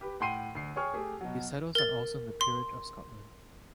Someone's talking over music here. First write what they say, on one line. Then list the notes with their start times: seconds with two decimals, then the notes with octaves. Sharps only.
These titles are also in the Peerage of Scotland.
0.01 G4 B4
0.20 A2 F#5 G5 C6 C7 D#7
0.55 D2 C7
0.76 G#4 C#5 G5 C#6 F6
0.94 A3 G4 G#4
1.21 B2 F#3
1.75 A#4 A6
2.41 C6